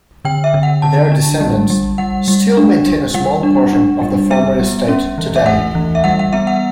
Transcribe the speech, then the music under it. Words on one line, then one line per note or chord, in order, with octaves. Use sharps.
Their descendants still maintain a small portion of the former estate today.
D3 G5
E5
D3
F#5
D3 A5
D4
G3
G3
G3 F#5
G3
D4
G3
G3 F#5
D4
D4
G3
B3 E5
G3
C#4
E3
E5
A3 F#5
E3
E5
G3 F#5
F#5
B3 E5
F#5